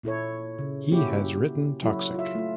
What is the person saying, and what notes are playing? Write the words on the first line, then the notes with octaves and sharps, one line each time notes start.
He has written Toxic!
A#2 E4 A4 C#5
C#3
A#3 C#4 E4 F#4 G4
F#3 E4 F#4 A4
F4 E5
A3 F4